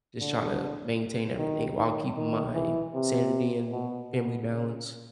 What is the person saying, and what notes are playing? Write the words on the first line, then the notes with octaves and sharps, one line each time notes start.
just trying to maintain everything while keeping my sanity and family balance
D3
D#3
D#3
D#3
E3
C3
B2
B2
C#3